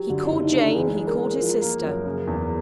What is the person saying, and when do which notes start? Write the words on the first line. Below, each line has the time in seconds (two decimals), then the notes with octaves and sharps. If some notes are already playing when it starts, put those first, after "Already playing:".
He called Jane; he called his sister.
Already playing: F#3 G4
0.10 D3 F#4
0.26 E4
0.32 F#1
0.42 D#4
0.53 F#1
0.59 D4
0.75 E3 G#4
0.97 G#3
1.07 A#4
1.18 G#3
1.40 F3
1.62 A#3
1.84 F#2
2.05 C#3
2.27 E2